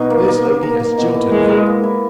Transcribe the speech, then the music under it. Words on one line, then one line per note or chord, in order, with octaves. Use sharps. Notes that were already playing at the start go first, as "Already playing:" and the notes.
"This lady has jilted me."
Already playing: B2 D#4
A#3
A#3
A#3
A#4
A#3
B2
E4
G#3 E4
A#4
A#3
E4